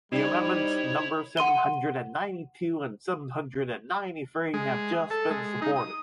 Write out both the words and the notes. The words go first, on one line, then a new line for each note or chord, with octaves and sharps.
The amendments number seven hundred and ninety two and seven hundred and ninety three have just been supported.
G3 C4 D#4 E4 C#5 D5
F#5 C6 D#7 G7
G#3
A4
G#3
D#4
D#6